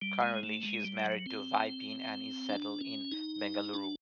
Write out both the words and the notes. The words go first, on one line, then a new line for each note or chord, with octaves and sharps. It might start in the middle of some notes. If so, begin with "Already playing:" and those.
Currently she is married to Vipin and is settled in Bengaluru.
G3
G#3
A3
G#3
G3
F#3
C4
D4
C#4
D#4
D4